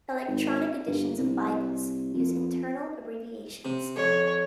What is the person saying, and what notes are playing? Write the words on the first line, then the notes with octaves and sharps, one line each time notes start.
Electronic editions of Bibles use internal abbreviations.
G#1
G1
C2
F2
C3
F2 C#5